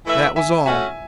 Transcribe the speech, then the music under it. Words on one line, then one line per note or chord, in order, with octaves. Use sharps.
That was all.
E3 A3 E4 B4 E5
E5 G#5
A3 C#4 F#4 E5 G#5